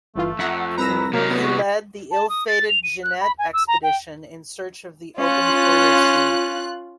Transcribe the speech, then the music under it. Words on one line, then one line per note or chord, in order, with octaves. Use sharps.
He led the ill-fated Jeannette Expedition in search of the Open Polar Sea.
G1 E3 A3 F4
F2 E5 F#5 A#5
C2 B4 A#5 E6 A#6
C3 F#3 G#3 A#3 A#4
B3
F#4
A5
D#6
A6
F7
D#7
F#6
B5
G#5
E6
A#5
G5
C#4 F4 F#6